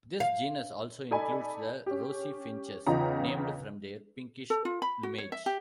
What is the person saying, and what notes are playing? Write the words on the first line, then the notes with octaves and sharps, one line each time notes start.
This genus also includes the rosy finches, named from their pinkish plumage.
F5
D#4 A4 D5 G#5 B5
C#4 G4
E2 C#3 D#4 F4 G5 A#5
A4
F4
B5
F#4
C#5
E5
G4